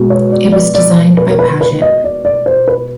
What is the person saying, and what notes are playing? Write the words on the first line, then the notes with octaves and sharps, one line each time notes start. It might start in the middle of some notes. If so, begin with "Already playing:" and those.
It was designed by Padgett.
Already playing: B2 G#3
C#5
D5
D5
D5
B4
A#4
B4
B4
D#5
D5
D5
C5
B4